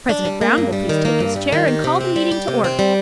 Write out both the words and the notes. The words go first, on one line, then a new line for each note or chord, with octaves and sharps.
President Brown will please take his chair and call the meeting to order.
D4
G3
A#3
G2
G3
D#3
A#3
G2
G3
D#3
G4
C3
C4
G3
G4
C3
C4
G3